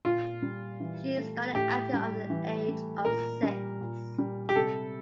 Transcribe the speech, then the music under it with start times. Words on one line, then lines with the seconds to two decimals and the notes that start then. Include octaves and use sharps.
She started acting at the age of six.
0.05 A#2 F4
0.42 G3
0.80 E3
1.18 A3
1.55 A2 G4
1.93 G3
2.30 E3
2.68 A3
3.05 A#2 A#4
3.43 G3
3.81 A#2
4.18 G3
4.49 G4
4.55 C3 A4